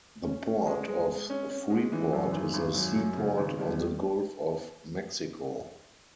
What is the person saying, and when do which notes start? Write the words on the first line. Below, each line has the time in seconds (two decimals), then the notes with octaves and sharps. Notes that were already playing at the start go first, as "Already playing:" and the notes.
The Port of Freeport is a seaport on the Gulf of Mexico.
0.24 C#4
0.46 C#4
0.66 G#3
0.88 G#3
1.08 G#3
1.29 C#4
1.50 C#4
1.70 G#3
1.92 E3
2.13 F#2
2.33 G#1
2.54 G#1
2.74 F#2
2.96 F#2
3.16 C#3
3.38 G#1
3.58 G3
3.78 G3